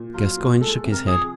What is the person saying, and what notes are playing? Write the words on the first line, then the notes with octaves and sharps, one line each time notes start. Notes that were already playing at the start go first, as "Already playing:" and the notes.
Gascoyne shook his head.
Already playing: A#2
F#3 F4
A#2
G#3 A4
C3
A#4
F3 G#4